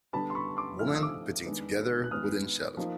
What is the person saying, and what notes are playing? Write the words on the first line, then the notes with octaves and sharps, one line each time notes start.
Woman putting together wooden shelf.
D3 G3 B3 D4 A5 B5
C6
B5 C#6
C6 D6
F3 A3 C4 D#4 F6
E6
D#6
D6 E6
D#3 G#3 B3 D4
F#6
D#3 G#3 B3 D#6 F6
F3 A#3 D#4